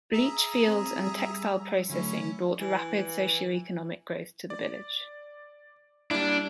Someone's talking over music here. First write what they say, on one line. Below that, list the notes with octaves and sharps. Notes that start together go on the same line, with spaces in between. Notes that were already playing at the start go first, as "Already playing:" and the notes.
Bleachfields and textile processing brought rapid socioeconomic growth to the village.
G#4 E5 A#5
C4
G3
D3 F#3 A3 C#4 E4
E3
D5
G3 A#3 D4 E4